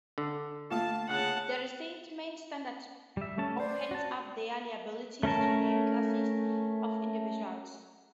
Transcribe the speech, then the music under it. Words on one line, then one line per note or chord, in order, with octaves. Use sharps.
The Restatement Standard opens up their liability to named "classes" of individuals.
D3
A3 A#3 F4 F5 A5
C#3 F#5 A5
G3 E5
A3 C#4 A5
C5 D5
F#4 A5
A3 C#4 A#4 A5